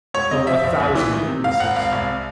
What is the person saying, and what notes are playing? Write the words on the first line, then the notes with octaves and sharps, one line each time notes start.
Oh, a thousand witnesses!
E1 C#5
C3 D#5
F3 E5
A#1
C2
E3
D#3
C3
G#1 F5
G#1 F#5
C2 F5
C2